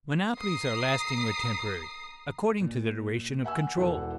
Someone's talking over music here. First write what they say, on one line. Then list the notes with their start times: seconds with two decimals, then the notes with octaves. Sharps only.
Monopolies are lasting or temporary, according to the duration of control.
0.38 A#5 D#6 C7
2.60 A#2
3.44 E5 F#5 G#5 E6
3.76 E1 E3 A4 F#5